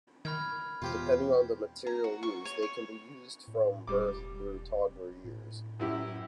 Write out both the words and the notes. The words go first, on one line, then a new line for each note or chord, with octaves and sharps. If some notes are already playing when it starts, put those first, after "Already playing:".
Depending on the material used, they can be used from birth through toddler years.
D#3 B5 F6 G#6
E2 B2 F4 G4 C5
A#5
F#4
C#6
C#5
C#5
A2
E1 G3 D6
A2
F#2 E4 G4